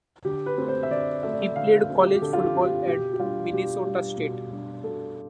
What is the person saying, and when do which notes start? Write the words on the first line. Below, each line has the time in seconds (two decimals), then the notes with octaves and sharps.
He played college football at Minnesota State.
0.25 D3 G4
0.46 B4
0.58 A3 C4
0.68 C5
0.83 E5
0.91 D3 D5
1.23 A3 C4 E5
1.33 D5
1.42 E5
1.56 D3 F5
1.79 F5
1.88 A3 C4
1.99 G4
2.16 G4
2.22 D3 A4
2.33 F4
2.43 G4
2.54 A3 C4
2.65 G4
2.87 B2 G4
3.13 G4
3.19 G3 D4 F4
3.53 B2 G4
3.86 G3 D4
4.18 B2
4.51 G3 D4
4.84 B2 A4